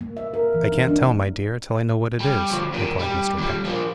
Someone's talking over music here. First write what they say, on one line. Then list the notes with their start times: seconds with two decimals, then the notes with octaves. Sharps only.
"I can't tell, my dear, till I know what it is," replied Mr. Peck.
0.01 A#3
0.17 E5
0.34 A#4
0.54 E3
0.72 D#4
0.88 D4
2.20 G3
2.50 D2 F3
2.74 A#2 D#3
2.99 G3
3.38 D#2 G3
3.65 F3 A#3